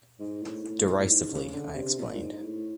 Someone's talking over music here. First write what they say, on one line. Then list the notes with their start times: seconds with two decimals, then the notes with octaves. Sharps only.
"Derisively," I explained.
0.19 G#2
0.42 A2
0.64 A2
0.99 A2
1.09 G#2
1.31 C#3
1.53 D3
1.76 C3
1.98 A#2
2.15 G2
2.21 G#2
2.32 G#2
2.43 A2